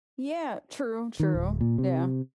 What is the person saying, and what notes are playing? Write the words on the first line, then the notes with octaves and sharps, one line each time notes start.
Yeah, true, true. Yeah.
D#3
D1
A#2
C3